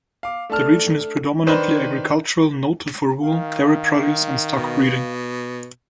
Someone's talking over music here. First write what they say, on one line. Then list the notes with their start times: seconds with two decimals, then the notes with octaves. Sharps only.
The region is predominantly agricultural, noted for wool, dairy produce and stock breeding.
0.23 F5 D6
0.50 A3 D4 A5 F6
1.47 D#3 D4 B4 C5
3.21 D#3 F5
4.54 B2